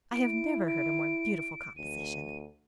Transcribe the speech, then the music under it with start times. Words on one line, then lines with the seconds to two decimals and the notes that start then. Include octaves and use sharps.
'I have never heard a more beautiful composition.
0.14 E4 D7
0.68 D7
1.76 D2 D#7